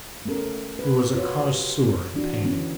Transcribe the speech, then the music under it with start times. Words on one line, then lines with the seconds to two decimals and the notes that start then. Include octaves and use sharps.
He was a connoisseur of painting.
0.25 A3 B3 C#4 A4 A#4
0.79 B4
1.15 F4 F#4 B4 C#5
1.48 G4
2.14 E3 D4 F#4
2.43 D3 E3 B3 C#4